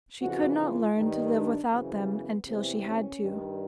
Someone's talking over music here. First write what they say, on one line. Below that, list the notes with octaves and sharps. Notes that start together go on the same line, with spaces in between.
She could not learn to live without them until she had to.
F2 C#3 E3 F#4
F4
G2 D#3 D#4
D4
F#2 C#3 E3 C4
B3
E2 C3 E3 C4
C#4
G2 D#3